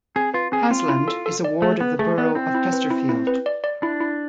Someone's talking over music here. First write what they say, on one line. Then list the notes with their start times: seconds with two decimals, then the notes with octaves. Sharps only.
Hasland is a ward of the Borough of Chesterfield.
0.16 C4 G#4
0.34 F4 B4
0.52 C4 G#4
0.71 C4 F4
0.89 E4
1.08 A4
1.26 A4
1.44 D5
1.62 A3 G#4
1.80 B3 B4
1.99 A3 G#4
2.18 B3 D5
2.35 C4 E4
2.55 E4
2.73 B4
2.90 E4
3.09 E4
3.27 B4
3.46 D5
3.64 D5
3.82 D4 E4
4.00 E4